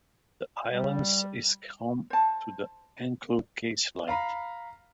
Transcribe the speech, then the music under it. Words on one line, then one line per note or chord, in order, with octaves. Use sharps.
The island is home to the Anclote Keys Light.
G3
C5 A5
F5 A#5 B5